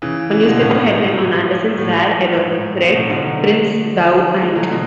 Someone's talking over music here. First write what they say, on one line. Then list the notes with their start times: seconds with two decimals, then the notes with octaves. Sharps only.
A newspaper headline on Anderson's rare error read "Prince Thou Ain't".
0.02 C#3 E3
0.31 C#3 E3
0.46 B2 D3
0.60 A2 C#3
0.75 A2
0.90 G#2
1.20 A2
1.78 A2
2.36 G#2
2.51 A2
2.85 B2
2.95 A2 C#3
3.09 B2 D3
3.24 D3 F#3
4.41 E3 G#3
4.56 F#3 A3
4.70 B2 D3